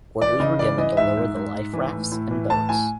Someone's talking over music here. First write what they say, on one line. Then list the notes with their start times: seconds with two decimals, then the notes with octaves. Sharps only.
Orders were given to lower the liferafts and boats.
0.22 E3 D5
0.40 C#3 D#5
0.59 E3 D5
0.78 E3 D#5
0.97 G#2 E5
1.17 G#2
1.36 G#2
1.55 G#2
1.73 E3
1.93 A2
2.12 A2
2.31 E3
2.50 A2 A5
2.69 A2 G#5